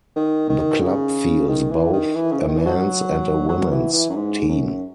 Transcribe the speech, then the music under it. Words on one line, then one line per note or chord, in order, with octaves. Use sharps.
The club fields both a men's and women's team.
D#3
D#3
C#3
D#3
E3
D#3
E3
C#3
E3
D#3
E3
F#3
F#3
E3
E3
F#2
G#2
F#2